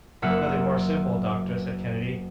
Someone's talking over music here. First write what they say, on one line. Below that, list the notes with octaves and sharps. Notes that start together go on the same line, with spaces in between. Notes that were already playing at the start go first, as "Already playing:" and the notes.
"Nothing more simple, doctor," said Kennedy.
F#1 A#3 F4 E5 F#5